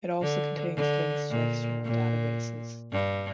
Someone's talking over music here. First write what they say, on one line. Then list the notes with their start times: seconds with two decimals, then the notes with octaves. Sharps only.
It also contains links to external databases.
0.21 D3
0.76 D3
1.30 A#2
1.85 A#2
2.92 G2